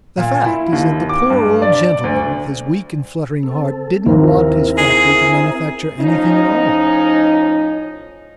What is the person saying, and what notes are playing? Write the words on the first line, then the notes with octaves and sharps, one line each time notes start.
The fact is that the poor old gentleman, with his weak and fluttering heart, didn't want his factory to manufacture anything at all.
A#2
E4
D#2
D6
G2
D5
D2
C4 A4
D#2 C4 E4 A#4
G#4
A2 F3 C#4 D#4